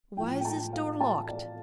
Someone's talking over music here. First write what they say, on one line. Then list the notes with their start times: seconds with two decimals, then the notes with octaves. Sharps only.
Why is this door locked?
0.17 A2 F3 G5
0.40 G5
0.45 A5
0.73 F5
1.00 A5
1.28 D5